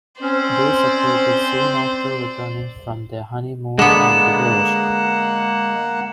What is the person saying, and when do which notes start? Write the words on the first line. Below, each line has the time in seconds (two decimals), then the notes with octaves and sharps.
They separated soon after returning from their honeymoon and divorced.
0.21 C4 C#4 C5 D5
3.79 D3 G#3 A#3 B3 F#5 E7